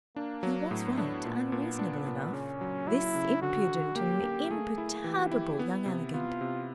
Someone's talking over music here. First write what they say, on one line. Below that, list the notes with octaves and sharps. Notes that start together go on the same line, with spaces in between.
He was right and reasonable enough, this impudent and imperturbable young elegant.
A#3 D4
F#3
A2 B3
D4
A#2
A#2
D4
A#2
C#3 C#4
F#3
F#3 E4
C#3
D3 F#4
D3
A#3 G4
A#3
A3 G#4
E4
E3 G4
E4
B3
C3
B3 F4
C3